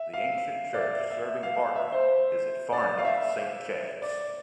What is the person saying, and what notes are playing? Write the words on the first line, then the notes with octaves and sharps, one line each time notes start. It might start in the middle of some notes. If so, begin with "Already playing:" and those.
The ancient church serving Barton is at Farndon, Saint Chad's.
Already playing: E5
F5
D5
E5
E5
F5
E5
C5
D5
F5
E5
D5